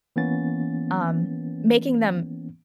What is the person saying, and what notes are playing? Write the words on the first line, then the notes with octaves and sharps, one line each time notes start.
um, making them
E3 A#3 B3 C#4 A6